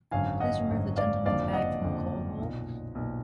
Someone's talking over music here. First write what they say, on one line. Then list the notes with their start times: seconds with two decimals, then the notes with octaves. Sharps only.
Please remove the gentleman's bag from the coal hole.
0.11 G#1 F#2 D3 F5 G#5
0.40 D#5 F#5
0.69 G#1 F#2 D3
0.96 D5 F5
1.25 F#1 F2 D3 D5 F5
1.53 D#5 F#5
1.82 F#1 F2 D3
2.38 B1 A#2
2.95 B1 A#2